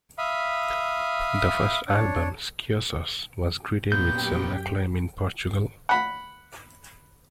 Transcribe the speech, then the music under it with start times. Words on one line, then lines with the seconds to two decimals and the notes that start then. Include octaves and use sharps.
Their first album "Esquissos" was greeted with some acclaim in Portugal.
0.18 E5 F5 B5 D#6
1.88 D4 C#5
3.92 F#2 A#2 B3 G4 G5 G6
5.89 F#5 B5